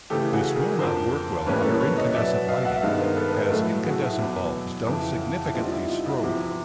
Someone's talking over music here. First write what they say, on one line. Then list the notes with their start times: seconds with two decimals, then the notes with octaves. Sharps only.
This will not work well under incandescent lighting, as incandescent bulbs don't significantly strobe.
0.10 C#3 E3 A3 G4 A4
0.33 F#4 G#4
0.56 G#4 A#4
0.79 F2 D3 F3 A#4 C5
1.46 A2 E3 G3 A#3 C#4 B4 C#5
1.57 A#4
1.64 A4 B4
1.81 B4 C#5
1.97 C#5 D#5
2.14 B2 F#3 B3 D5 E5
2.48 D#5 F5
2.65 E5 F#5
2.77 E5
2.82 G2 D#3 G#3 B3 D#5 F5
3.00 A#4 C5
3.16 A4 B4
3.28 B4
3.33 G#4 A#4
3.50 A2 F#3 A3 A4 B4
3.85 F#4 G#4
4.02 E4 F#4
4.19 E2 B2 F#3
4.87 F2 C#3 E3
5.45 E4
5.55 D3 G3 C4 D#4 F4
5.65 F4
5.72 E4
5.89 D#4 F4
6.06 E4 F#4
6.23 E2 C3 F3 E4
6.40 E4